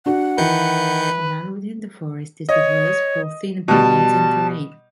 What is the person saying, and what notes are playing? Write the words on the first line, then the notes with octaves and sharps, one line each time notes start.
The land within the forest is diverse, both in appearance and terrain.
D4 F#4 F#5
D#3 E3 B4 G6 C#7
C#5 D#5
B2 G3 A5